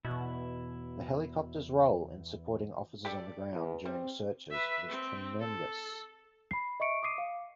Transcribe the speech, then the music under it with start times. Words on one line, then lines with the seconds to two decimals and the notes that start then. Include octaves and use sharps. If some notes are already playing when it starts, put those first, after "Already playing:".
The helicopter's role in supporting officers on the ground during searches was tremendous.
0.05 E2 B2 E4
3.05 G4 A4 D5
3.52 E2
3.85 G3 C4
4.50 B4 E5
4.90 C4
5.40 A4
6.51 B5 C7
6.80 D#5 E5 C#6 C#7 D7
7.03 D6 D#6 C7 D#7
7.18 F5